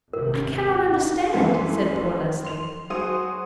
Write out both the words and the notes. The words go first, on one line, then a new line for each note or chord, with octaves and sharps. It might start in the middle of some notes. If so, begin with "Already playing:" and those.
"I cannot understand," said poor Leslie.
G#1 C3 A#4
F#2 E3 A3 B4 C5
C6 F7
F#3 F#4 G#4 C5 D#6 D#7